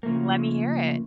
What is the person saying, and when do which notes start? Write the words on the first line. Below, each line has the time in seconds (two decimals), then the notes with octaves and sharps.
Let me hear it.
0.03 C#3 F3 A3 A#3